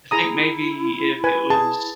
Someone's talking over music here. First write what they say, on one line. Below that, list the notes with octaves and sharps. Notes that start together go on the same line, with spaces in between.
I think maybe if it was
E4 G#4 A#5 D#6
B4 G#5
G#4 A5